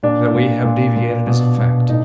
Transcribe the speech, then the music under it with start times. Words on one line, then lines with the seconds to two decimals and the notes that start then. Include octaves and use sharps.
That we have deviated is a fact.
0.03 A#2 D4
0.34 A#2
0.65 A#2
0.96 A#2
1.27 B2
1.58 B2
1.89 A2 D#4